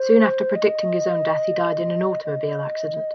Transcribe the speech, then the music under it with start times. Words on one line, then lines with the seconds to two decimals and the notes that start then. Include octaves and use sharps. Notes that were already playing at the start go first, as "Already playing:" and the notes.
Soon after predicting his own death, he died in an automobile accident.
Already playing: C5
0.56 D#5
2.24 D#5